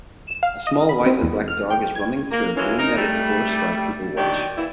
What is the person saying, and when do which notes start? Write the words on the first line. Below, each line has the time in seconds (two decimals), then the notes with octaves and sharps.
A small white and black dog is running through a blue netted course while people watch.
0.27 E7
0.43 F5
0.67 D#5
0.89 B5
1.06 C4
1.22 E2
1.48 F6
1.70 G5
1.95 G#6
2.31 A#3
2.57 E3 F#3 G#3 A#3 C#4 E4
2.79 D#4 A#4
2.97 G3 A3
4.17 A#2 D#3 D4 F#4 G4
4.57 E3 A#3 E4